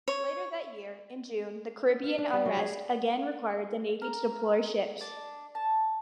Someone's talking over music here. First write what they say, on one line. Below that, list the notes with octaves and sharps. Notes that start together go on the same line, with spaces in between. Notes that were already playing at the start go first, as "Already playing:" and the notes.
Later that year, in June, Caribbean unrest again required the Navy to deploy ships.
C#5
F5
D4
G3
F#3
G#4
A#4
D4
A5